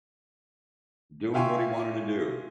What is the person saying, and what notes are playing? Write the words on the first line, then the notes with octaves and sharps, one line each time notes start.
Doing what he wanted to do.
E5 F5 G5 G#5 C6 C#6